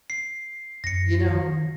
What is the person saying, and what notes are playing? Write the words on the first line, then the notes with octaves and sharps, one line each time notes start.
You know
C7
F#2 A#6 C#7
D#3